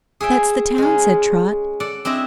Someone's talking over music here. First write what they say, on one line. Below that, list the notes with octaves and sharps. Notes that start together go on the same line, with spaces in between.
"That's the town," said Trot.
G#4 C#5 E5 G5
G#3 C#4
A4 D5 F#5
C4 D4 E4 D#5 E5